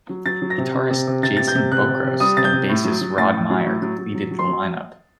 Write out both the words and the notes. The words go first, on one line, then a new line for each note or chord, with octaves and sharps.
Guitarist Jason Bokros and bassist Rod Meyer completed the lineup.
F#3
F#3 A6
F#3
A#6
C3
C3
C3
C3
C3 A6
C3 A6
G6
C3
C3 F#6
C3
C3
G3 D#6
C3 A6
G6
C3
A2
F#3
F#3
A2 A6
A2
F#3
A2
F#3
F#3
F#3
F#3
C6
F#3